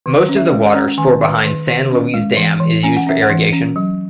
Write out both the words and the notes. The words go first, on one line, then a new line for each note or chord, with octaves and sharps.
Most of the water stored behind San Luis Dam is used for irrigation.
D#3
C#4
E5
G#3
F#5
C#4
D#3 G#5
D#3
D#3
D#3
C#4
G#3
E3
E3
C#4 G#5
F#5
C#4 E5
F#5
E3
C#4
F#3